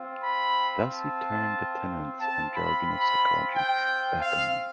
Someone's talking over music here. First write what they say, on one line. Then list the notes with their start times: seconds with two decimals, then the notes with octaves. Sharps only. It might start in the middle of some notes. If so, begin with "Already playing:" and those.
Thus he turned the tenets and jargon of psychology back on me.
Already playing: C4 F4
0.21 B5
0.89 A5
2.21 C4 F4 A5
2.54 B5
2.87 B5
3.54 G5
4.20 F5